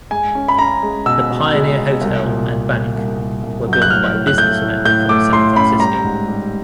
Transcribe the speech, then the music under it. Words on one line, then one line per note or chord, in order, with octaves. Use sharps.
The Pioneer Hotel and Bank were built by businessmen from San Francisco.
G#3 G#5
C#4
B5
C#4 A#5
G#3
B2 E6
B2
G#3
B2
C2
A#2
C2
A#2
C2
C2
C2
F#3
G6
F#6
A2 F6
A2
F#6
A3 G6
A2
A2 G6
A3 D6
A2 C6
C#4 B5
G3 A#5
G#2
G3